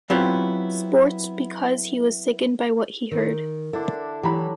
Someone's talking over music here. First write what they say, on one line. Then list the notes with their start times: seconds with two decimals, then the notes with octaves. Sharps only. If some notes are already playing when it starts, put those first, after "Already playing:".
Sports because he was sickened by what he heard.
0.10 F#3 B3 C4 E4 F4 G4
3.11 D#3 A#4
3.73 D3 D4 E4 A4
4.23 E3 F#3 G4 A#5 B5